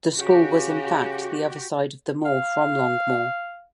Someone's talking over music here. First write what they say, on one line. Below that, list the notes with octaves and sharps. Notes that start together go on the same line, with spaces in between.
The school was in fact the other side of the moor from Longmoor.
C#3 F#4 G4
F5